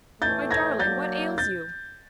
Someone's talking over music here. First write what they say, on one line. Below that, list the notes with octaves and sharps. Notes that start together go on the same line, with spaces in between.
"My darling, what ails you?"
A2 E3 A3 G6 A6
G#6 A#6
F#3 A#3 D4 G6 A6
G6 A6